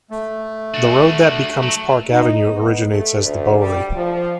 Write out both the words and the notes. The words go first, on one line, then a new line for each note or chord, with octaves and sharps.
The road that becomes Park Avenue originates as the Bowery.
A3
D4 F#4
F#3
D#4
B3
A3
D2
G3
F3